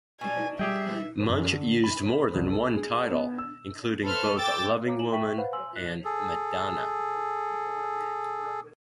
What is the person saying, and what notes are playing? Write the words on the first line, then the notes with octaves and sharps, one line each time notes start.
Munch used more than one title, including both "Loving Woman" and "Madonna".
B2 D4 G#5
G3 G4 G#4 E5 G5
F#2
D3
B5
C2
A4
G#4
B3
E6
A4 B4 C5 E5 F6
G5 D6 E6 A6
C#5 F5 A#5 D6
E4 G#5 E7 F#7
E5 G5 C#6 B6 F#7
B4 C5 F5 F#5 B5
G#5 C6 E6 F#7
F4 F#6
G#4 A4